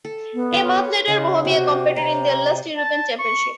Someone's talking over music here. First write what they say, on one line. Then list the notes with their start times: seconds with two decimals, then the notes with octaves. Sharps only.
A month later Bohemia competed in their last European Championship.
0.05 A4
0.34 B3
0.52 F4 B4 C#5
1.08 C#3 D#5 F#5 C6
1.45 C3 F#4
1.96 C3 C#5 A#5
2.77 A5
3.19 C#6